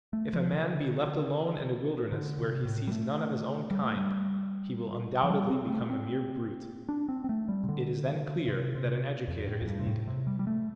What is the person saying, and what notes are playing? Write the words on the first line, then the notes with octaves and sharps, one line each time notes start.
If a man be left alone in a wilderness where he sees none of his own kind, he will undoubtedly become a mere brute; it is then clear that an educator is needed.
A3
F3
D3
D3
C3
A2
G3
A3
G3
A3
G3
F3
G3
C4
A3
A3
C4
D4
C4
C4
A3
G3
C3
D3
C3
C3
F2
A2
F2
G2
C3
A2
C3
G3
G3
A3